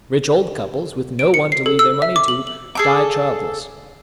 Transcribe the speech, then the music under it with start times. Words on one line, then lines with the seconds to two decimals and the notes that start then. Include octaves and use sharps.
Rich old couples, with no one to leave their money to, die childless.
1.19 D7
1.34 C#7
1.52 C7
1.66 A4
1.79 E6
2.02 E5
2.16 D6
2.28 F#7
2.47 F#7
2.75 G#4 A4 D6